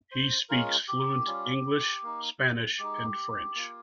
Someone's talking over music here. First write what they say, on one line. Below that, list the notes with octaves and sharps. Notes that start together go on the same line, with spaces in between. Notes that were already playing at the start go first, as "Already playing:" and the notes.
He speaks fluent English, Spanish and French.
C5
G#3 C#4 F4 A#4
G4
G3 C#4 F4
A#3 D#4
G#3 D#4 G4
A#3 F4